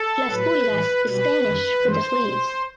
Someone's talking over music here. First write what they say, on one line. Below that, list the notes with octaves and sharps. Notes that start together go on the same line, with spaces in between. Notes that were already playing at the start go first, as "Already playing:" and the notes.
Las Pulgas is Spanish for "The Fleas".
Already playing: A4
A2 F#3 B4
A2 E3 G3
B2 G3 B4
F#2 D#3 G3
G2 E3 G3 C5
B2 G3